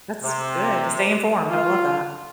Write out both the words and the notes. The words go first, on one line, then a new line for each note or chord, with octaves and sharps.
That's good, to stay informed, I love that.
C3
F4